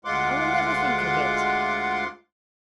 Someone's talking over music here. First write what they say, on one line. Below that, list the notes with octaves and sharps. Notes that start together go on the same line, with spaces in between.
I will never think of it.
D2 G#3 F4 F#5 C6 D6